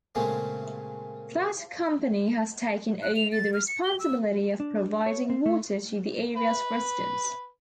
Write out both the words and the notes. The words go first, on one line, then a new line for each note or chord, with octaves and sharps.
That company has taken over the responsibility of providing water to the area's residents.
A#2 C#3 G#3 A3 C4 C#4
F#6
F7
A6
F6
C#7
G7
E6
D4
C#5
C4
A3
B4